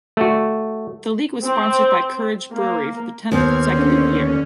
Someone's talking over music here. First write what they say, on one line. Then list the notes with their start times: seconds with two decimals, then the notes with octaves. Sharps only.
The league was sponsored by Courage Brewery for the tenth consecutive year.
0.17 A3 F#4
1.43 C4
2.51 A#3
3.32 D#2 B3 C4 F6 G#6
3.72 D3 C#4